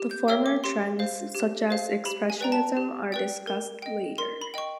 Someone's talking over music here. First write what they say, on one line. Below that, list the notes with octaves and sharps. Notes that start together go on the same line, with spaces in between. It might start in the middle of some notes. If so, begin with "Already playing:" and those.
The former trends, such as Expressionism are discussed later.
Already playing: G4
G6
A#4 C#5 E5 G5 E6
D6
G4 C6
C5 F5
G4
C5 F5
G4 B5
G#5
B4 D5 G5 A#5
A5
G4
B4 D5 G5
A#4
D#5 G5
A#4 C6
B5
D#5 G5 C#6